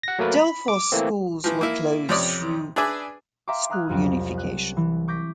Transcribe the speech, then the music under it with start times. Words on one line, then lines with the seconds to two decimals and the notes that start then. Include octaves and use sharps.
Delphos schools were closed through school unification.
0.03 F#5 A#6
0.19 F#3 A3 A#3 F#4 A#4 B4
0.34 B5
0.68 D6
0.92 E3 A3 A#3 C4
1.44 E3 F3
1.61 A#3 E4
2.09 F2 C3 C#4 D5 D#6
2.76 D4 G#4 B4 D5 E5 G#5
3.48 E5 F5 G5 A#5 C6 D6
3.70 F5 A#5 D#6 F6 F#6 G#6
3.89 C2 F2 F3 F#3
4.38 F#6
4.77 E3
5.08 C#6 D6 G6 A#6 B6